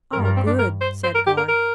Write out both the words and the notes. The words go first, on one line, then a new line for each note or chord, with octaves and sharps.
"Ah, good!" said Garth.
G2 A#4
A#4
C4
D4
A#4
C5
C5
A#4
G4
A#4
A#4